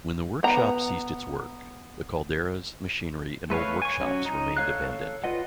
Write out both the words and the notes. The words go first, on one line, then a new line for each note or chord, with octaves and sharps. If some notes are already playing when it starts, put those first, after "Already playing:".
When the workshops ceased its work, the calderas, machinery and old workshops remained abandoned.
B3 A#5
A3 B4 C#5 F5
G#5 C#6
F#3 C#4 C#5
D#4 A#5
A4 C#5 F5 F#6
F4 B4 D#5 F#5